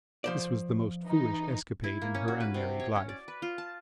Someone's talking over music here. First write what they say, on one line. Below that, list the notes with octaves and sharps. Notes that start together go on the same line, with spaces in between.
This was the most foolish escapade in her unmarried life.
F3 C5 D5
E3 D#4
E4
A#3
C#4
F#4
B4
C3
C#5
C#4
D5
B4
F4
A5